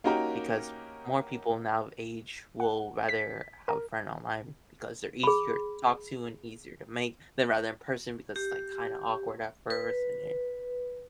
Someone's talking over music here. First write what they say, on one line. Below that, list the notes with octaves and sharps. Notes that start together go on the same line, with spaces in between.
because more people now age will rather have a friend online because they're easier to talk to and easier to make, than rather in person because it's, like, kinda awkward at first, and then
A#3 C#4 D#4 F#4 G4 A#4
F#5
B6
A#4
G#4 B5
G4
B4